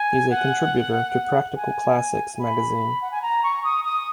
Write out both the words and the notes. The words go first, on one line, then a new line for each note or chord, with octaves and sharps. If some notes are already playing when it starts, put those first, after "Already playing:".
He is a contributor to "Practical Classics" magazine.
Already playing: G#5
F#5
G#5
B5
F#5
G#5
A#5
C#6
D#6
D#6